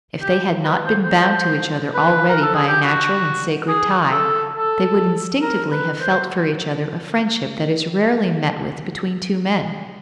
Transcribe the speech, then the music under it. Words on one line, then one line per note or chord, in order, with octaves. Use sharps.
If they had not been bound to each other already by a natural and sacred tie, they would instinctively have felt for each other a friendship that is rarely met with between two men.
G4
B4
C5
C5
B4
A#4
A4
G#4
G4
F#4
G#4
A4
A4
A#4
B4
C5